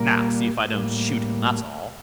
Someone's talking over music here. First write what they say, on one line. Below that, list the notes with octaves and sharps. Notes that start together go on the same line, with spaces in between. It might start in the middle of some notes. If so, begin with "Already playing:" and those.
'Now see if I don't shoot him, that's all.'
Already playing: A#2 G3 A#3 A#4
A2 G3 A#3